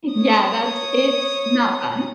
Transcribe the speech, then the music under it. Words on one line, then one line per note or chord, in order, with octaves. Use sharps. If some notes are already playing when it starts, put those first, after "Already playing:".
I yeah. That's it's not fun.
C#5 D#6